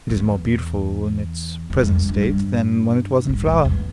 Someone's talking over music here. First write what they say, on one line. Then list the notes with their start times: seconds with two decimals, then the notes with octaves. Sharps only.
It is more beautiful in its present state than when it was in flower.
0.09 E2
1.70 E2
1.83 F2
1.96 G2
2.09 G2
2.23 G2
3.29 G#2
3.46 A2
3.65 E2